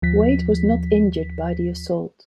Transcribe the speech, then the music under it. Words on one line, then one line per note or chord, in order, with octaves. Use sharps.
Wade was not injured by the assault.
D#2 F3 B6